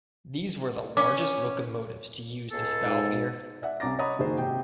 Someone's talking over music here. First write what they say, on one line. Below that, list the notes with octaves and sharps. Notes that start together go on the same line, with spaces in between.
These were the largest locomotives to use this valve gear.
C#4 D6
C#2 G#4 A4
G#2
D5 E5 F#5
C2 C#4 A#5 D6 A6 A#6
C#5 D#5 F#5 A#5 B5 D#6
F#1 D#3 F#4 G#4 C5
G#1 C3 G4 G5